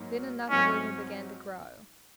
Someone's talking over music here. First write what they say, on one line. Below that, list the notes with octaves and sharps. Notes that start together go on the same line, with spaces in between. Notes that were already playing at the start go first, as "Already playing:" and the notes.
Then another rumor began to grow.
Already playing: G#2 F#3 A#3 D#4
G#2 F#3 C4 C#4 D#4